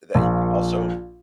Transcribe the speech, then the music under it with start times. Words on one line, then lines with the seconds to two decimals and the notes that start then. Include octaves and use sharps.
that you can also
0.15 A#1 A#2